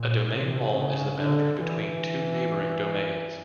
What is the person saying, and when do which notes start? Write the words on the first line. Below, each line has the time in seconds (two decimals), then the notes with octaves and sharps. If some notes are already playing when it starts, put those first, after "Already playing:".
A domain wall is the boundary between two neighboring domains.
Already playing: A#2
0.32 C3
0.75 C#3
1.18 D3
1.62 E3